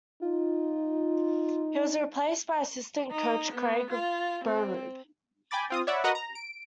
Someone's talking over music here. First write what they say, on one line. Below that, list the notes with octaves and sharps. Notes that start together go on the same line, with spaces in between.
He was replaced by Assistant Coach Craig Berube.
D#4 F4
D#4
B3
F4
C4
G5 G#5 B5 D6 A6
C4 F4 D#6
C#5 D5 E5 F#5 B5
F#4 A#4 B4 D#5 F#5 D#6
A#5
D7